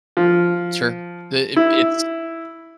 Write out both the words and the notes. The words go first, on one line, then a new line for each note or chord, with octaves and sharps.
Sure, it it it's,
F3
E4